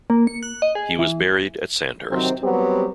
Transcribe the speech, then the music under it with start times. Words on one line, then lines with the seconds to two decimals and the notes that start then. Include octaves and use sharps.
He was buried at Sandhurst.
0.10 A#3
0.27 C#7
0.43 F#6
0.62 D#5
0.75 G#4
0.99 E3
2.11 C3 D#3 F#3 C4
2.43 F#3 G3 B3 C4 G4